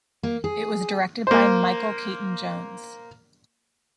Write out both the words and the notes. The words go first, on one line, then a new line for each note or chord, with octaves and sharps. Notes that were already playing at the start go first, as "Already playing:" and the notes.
It was directed by Michael Caton-Jones.
A#3
G#4
A#3 C5